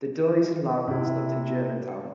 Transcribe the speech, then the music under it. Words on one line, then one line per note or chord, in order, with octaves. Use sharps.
The Dyes and Logans lived in Germantown.
C3 E4